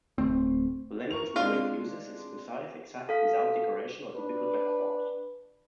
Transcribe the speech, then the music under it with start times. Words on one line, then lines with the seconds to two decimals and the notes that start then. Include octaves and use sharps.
The language Manrique uses is precise, exact, without decoration or difficult metaphors.
0.18 D1 G#2 A3 C4
1.11 A#4 C#6 F7
1.36 G#3 C4 D4 F4 F5
3.09 A4 F5 B6
4.13 D4 B4